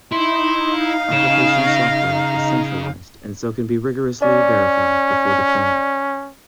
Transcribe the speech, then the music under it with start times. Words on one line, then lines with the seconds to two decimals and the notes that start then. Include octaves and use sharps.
Application software is centralized and so can be rigorously verified before deployment.
0.12 D#4 E4 C6
0.77 F5
1.12 C#3 E7
1.65 A#6
2.14 A#5
4.22 C#4 D5